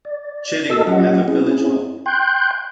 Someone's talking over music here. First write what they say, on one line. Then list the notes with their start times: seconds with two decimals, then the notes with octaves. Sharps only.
Chiddingly has a village hall.
0.05 D5
0.70 F#4 A4 A#4 D#5 A5 E6
0.87 F#3 C#4 F4 G4 D#5 F#5
1.28 C4 C#4 E4 G#4
2.06 G5 C6 F#6 G6